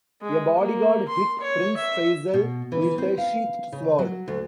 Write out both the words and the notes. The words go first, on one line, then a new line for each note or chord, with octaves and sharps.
A bodyguard hit Prince Faisal with a sheathed sword.
G#3
A#3
C6
C#5
E5
B2
E3
C4
F5
C#3
F#3
D2